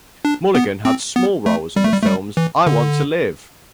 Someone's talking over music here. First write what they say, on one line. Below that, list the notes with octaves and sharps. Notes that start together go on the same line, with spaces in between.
Mulligan had small roles in the films I Want to Live!
D4
B3
C4
B3
A3
G3
A3
G3
A3
G3
E3
D3